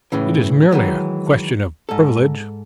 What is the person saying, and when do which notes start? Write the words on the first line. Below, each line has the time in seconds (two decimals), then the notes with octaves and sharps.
"It is merely a question of privilege."
0.12 A2 C#3 E3
0.71 D#3 E3 F#3 G#3
1.89 G#2 A4